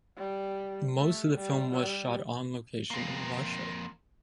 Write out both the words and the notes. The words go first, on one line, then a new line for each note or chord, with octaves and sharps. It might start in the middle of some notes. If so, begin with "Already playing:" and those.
Most of the film was shot on location in Russia.
G3
A3
G3
G3
F2 A#3